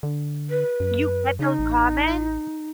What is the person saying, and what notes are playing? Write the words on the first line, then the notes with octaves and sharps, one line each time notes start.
You get those comments?
D3
B4
F#2
C#3 D#4
A1